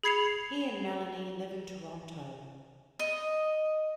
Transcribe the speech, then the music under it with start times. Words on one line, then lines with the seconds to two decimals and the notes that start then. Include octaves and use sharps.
He and Melanie live in Toronto.
0.03 G#4 B5 G#6 C7 C#7 F7
2.99 D#5